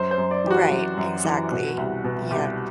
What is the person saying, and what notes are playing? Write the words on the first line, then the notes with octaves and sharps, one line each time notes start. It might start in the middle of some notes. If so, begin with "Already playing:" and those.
Right, exactly, yep,
Already playing: F#2 C5
C5
F#2
D5
E3 G4
F#4
F#2
F#2
E3
B2
C2
B2
C2 G4